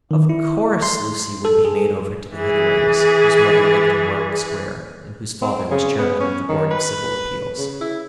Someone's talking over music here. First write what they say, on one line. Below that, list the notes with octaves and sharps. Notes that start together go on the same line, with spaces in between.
Of course Lucy would be made over to the Hittaways, whose mother lived in Warwick Square, and whose father was Chairman of the Board of Civil Appeals.
D#3
E4
C6
A4
G#4
E3 G#4
C4
C#3
B3
C#4
D#3
B4
C#3
E4